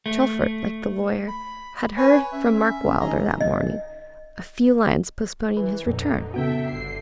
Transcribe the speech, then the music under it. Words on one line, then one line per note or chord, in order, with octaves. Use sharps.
Chelford, like the lawyer, had heard from Mark Wylder that morning--a few lines, postponing his return.
A3
B5
B4 C#5 G#5
C#4 E5
D#3 G#4 D#5 A#5
D#5
E3 B4
F2 A#2 D3 D#4
C#3 B3 F#4 A4 E5 G5
G1 D3 C7